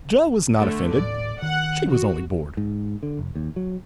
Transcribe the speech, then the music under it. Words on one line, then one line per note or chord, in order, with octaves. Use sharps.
Joe was not offended; she was only bored.
D3 A3
D#1 G#1 A2 D5
D#3 F#5
F#4
G#2
D3
F1
D#2
F#3